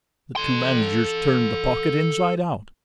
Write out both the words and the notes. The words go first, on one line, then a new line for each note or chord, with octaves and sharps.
The two managers turned the pocket inside out.
A4 C6